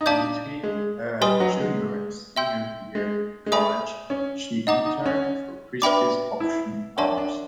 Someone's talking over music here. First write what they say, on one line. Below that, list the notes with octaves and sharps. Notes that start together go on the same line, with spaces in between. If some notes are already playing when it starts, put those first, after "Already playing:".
Between her junior and senior year in college she interned for Christie’s auction house.
D#4
D4 D5 F5 A5 D6 G6
G#3
G3 B4 D#5 G#5 C6 D#6
F#3
G#3
E5 G5 C6 E6 G6
G#3
G#3
A3 E5 G#5 B5 D#6
C#4
D#4 D#5 F#5 A#5 D6
D#4
C#4
D4 B4 E5 G5 B5 D6
E4
D4 A#4 C#5 E5 A5 C6
D4